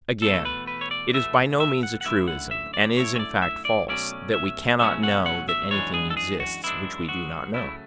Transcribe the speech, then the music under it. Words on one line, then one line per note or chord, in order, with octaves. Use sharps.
Again, it is by no means a truism, and is in fact false, that we cannot know that anything exists which we do not know.
E2 B2 A3 A4
B4
B4
C#5
D5
E2 B2 A3 E5
E5
F#5
F#5
F#2 D3 A3 E4 E5
F#5
E5
D5
F#2 D3 A3 E4 C#5
C#5
D5
E5
D5
B2 F#3 A3 C#4 D5
E5
B2 F#3 A3 C#4 E5
F#5
F#5
E5
F#2 E3 G#3 D4 C#5
G#4
A4
G#4
F#4
F#2 E3 G#3 D4 E4
F#4
C#3 F#3 A3 E4